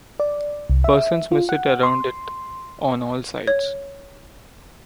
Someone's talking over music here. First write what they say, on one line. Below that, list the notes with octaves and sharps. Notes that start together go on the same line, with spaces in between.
Persons may sit around it on all sides.
D5
C2
E5
F4
F#5
C6
C#5